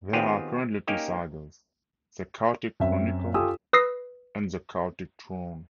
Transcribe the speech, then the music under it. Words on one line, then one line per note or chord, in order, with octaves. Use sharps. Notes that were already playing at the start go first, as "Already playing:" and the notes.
There are currently two sagas: "The Chaotic Chronicle" and "The Chaotic Throne".
D#3 B3 C4 F4 G4 G#4
A#3 C#4 D#4 G4 A#4
F#2 C4 E5
F4 G4 A4 G#5 D#6 E6
B4 D#6 E6 A#6 C7